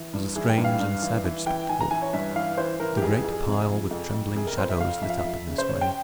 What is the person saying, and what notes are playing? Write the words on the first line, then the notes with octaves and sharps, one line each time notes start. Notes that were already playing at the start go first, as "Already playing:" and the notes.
It was a strange and savage spectacle, the great pile with trembling shadows lit up in this way.
Already playing: E3
G2
E3 G#4
G5
G2
F5
G2
E3
E3
E3 G5
E3 G#5
A#5
E3 G#5
C#5
G2 E5
E3 F5
E3 C5
E3 A#4
G4
F2 G#4
G#4
F2
G#4
C3
F3
F2
F2
C3 G#4
A#4
F2 C5
E5
F2 F5
F3 E5
F5
E5
F2
C#3
C5
C#3 C#5
G5